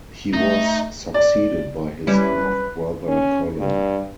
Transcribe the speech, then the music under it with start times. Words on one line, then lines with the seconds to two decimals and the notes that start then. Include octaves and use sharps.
He was succeeded by his half-brother Colin.
0.34 A3 D#4
1.14 D5
2.07 G3 C#4 E4 B4
3.08 C#4
3.59 G2